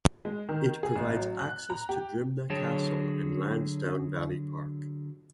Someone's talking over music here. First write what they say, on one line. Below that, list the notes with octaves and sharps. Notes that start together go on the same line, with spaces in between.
It provides access to Drimnagh Castle and Lansdowne Valley Park.
G#3
D#3
G#4
A1
F#3
F#6
A#5
G4
D3 F#3 G#4 C#5 G5 A5